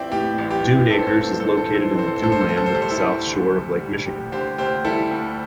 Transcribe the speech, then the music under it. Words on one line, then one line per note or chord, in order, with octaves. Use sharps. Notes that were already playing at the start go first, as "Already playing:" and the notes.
Dune Acres is located in the duneland of the south shore of Lake Michigan.
Already playing: A1 E3 C4 D5 E5 G5
A2 G4
A1
G4
E3
C4 A4
C5
A4
A2 C5
A4
C5
A4
A1
C5
A4
C5
E3
A4
C5
A4
C4 C5
A4
C5
A2 A4
C5
A4
D2 C5
A4
C5
G3 A4
C5
E4 A4
D2
D3
D2
G3
D2 G4
D3 G4 C5
D2 G4 C5
G3 E4 A4
D2